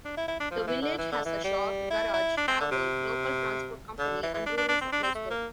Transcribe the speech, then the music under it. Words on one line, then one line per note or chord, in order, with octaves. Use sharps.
The village has a shop, garage, tavern, local transport company and rural supply store.
D4
E4
E4
D4
F3
E3
D3
E3
D3
E3
G3
E4
E4
D4
C4
D3
C3
D3
E3
E3
D4
D4
D4
C4
D4
C4
A3
A#3